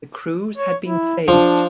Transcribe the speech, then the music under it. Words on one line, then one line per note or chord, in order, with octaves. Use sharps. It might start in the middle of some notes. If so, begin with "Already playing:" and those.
The crews had been saved.
C#5
E4
F3 D4